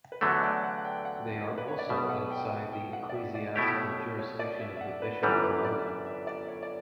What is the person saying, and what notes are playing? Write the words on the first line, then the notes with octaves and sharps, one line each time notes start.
They are also outside the ecclesiastical jurisdiction of the Bishop of London.
B4
E2 D3 F#3 A3 C#5
D5
F#5
F#5
G5
F#5
B4
C#5
D5
B1 B2 G3 B3 E5
F#5
G5
G5
F#5
G5
F#5
D5
E5
D5
B2 A3 E4 G4 C#5
C#5
A4
C#5
D5
E5
E5
F#5
B4
G1 F#2 E3 G3 B4
B4
D5
E5
E5
D5
C#5
D5